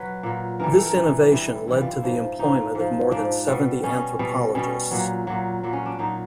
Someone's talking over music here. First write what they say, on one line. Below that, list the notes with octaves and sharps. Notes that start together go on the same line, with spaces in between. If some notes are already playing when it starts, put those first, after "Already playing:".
This innovation led to the employment of more than seventy anthropologists.
Already playing: F#3 B4
A#2 F#3
G2 E3 G3 A#4
A4
A#4
G2 E3 G3
G2 E3 G3 E4
G2 E3 G3 E4
F4
E4
G#2 F3
G#2 F3 D#4
G#2 F3
G#2 F3 D4
B2 G3
B2 G3 C#4
B2 G3
B2 G3 C#4
A#2 F#3
A#2 F#3
A#2 F#3
C#4
D4
A#2 F#3 D#4